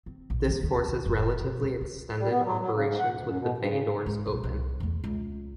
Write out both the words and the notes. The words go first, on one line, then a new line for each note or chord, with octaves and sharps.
This forces relatively extended operations with the bay doors open.
C4
A#1
A#3
D2
D#2
F#1
B2
C#2
D#4
G3
B3
F#3
F#3
C#3
G#2
F#5
D2
F#2
B2
G2
C#3
G#2
B1
C2
E2 A3
C#2